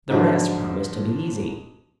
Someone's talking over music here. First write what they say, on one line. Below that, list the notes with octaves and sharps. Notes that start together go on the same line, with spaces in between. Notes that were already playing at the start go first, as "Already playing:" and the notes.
The rest promised to be easy.
G#2 D3 F3 F#3 D4